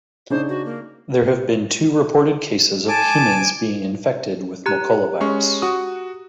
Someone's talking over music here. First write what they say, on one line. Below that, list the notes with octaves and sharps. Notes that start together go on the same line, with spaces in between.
There have been two reported cases of humans being infected with Mokola virus.
C#3 D4 D#4 C5
F#4
A#3
G#5 A5 D6
G4 A#5 F#6
G#3 C#4 C#6
F#4 C#6 D#6